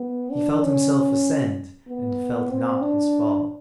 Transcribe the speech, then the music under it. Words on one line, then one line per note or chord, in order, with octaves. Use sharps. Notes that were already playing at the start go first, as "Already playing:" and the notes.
He felt himself ascend, and felt not his fall.
Already playing: B3
D4
C#4
B3
C4
D4